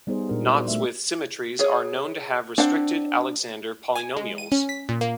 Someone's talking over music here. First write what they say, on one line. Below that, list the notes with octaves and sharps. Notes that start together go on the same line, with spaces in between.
Knots with symmetries are known to have restricted Alexander polynomials.
G3 B3 D#4 G#4 C5
A#2 G#3 D4 D#4 G#4 A#4
F#4 C5
A3 E5
G#4 C#5
C4 D4 F#5
G#5
G#3
D#7
C#4
B6
A#2
A#3